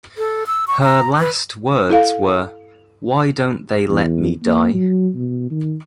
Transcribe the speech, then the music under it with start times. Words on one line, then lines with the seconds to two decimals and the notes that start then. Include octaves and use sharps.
Her last words were, Why don't they let me die?
0.18 A4
0.47 E6
0.68 C#6
0.83 A#5
1.19 B4
1.90 E4 A4 F5
3.89 E2
4.43 A#3
4.74 F#3
5.15 B2
5.51 D#3